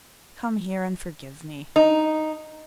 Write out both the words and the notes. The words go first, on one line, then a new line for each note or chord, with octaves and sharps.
Come here and forgive me.'
D#4